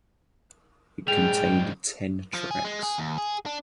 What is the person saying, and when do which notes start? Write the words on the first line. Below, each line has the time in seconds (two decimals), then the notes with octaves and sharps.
It contained ten tracks.
1.08 G#2 G3 G#4 G5 F7
2.34 F3
2.51 G#4
2.65 G#3
2.82 G#4
2.98 D#2
3.18 G#4
3.46 D4